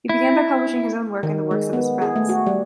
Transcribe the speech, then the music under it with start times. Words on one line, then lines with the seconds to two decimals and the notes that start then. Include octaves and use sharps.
He began by publishing his own work and the works of his friends.
0.09 E4
1.23 D#3
1.51 G#3
1.73 B3
2.02 G#4
2.16 A3
2.29 F#4
2.47 G3